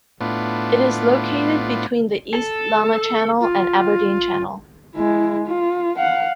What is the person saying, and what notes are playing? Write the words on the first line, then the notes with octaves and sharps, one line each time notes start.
It is located between the East Lamma Channel and Aberdeen Channel.
A2 B3 D4 F4
A4
F4
G#3 E4
F4
F5 F#5